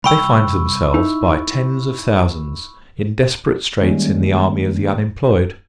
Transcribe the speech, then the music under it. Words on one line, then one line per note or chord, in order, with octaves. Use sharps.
They find themselves, by tens of thousands, in desperate straits in the army of the unemployed.
C2 G5 B5 C#6 E6
D#4 E4
D#3 G3 G#3 A#3 C#4